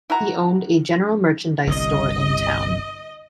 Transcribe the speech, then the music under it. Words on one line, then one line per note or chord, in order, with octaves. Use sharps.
He owned a general merchandise store in town.
E4 F#4 A#5
G1 C2 G2 D#5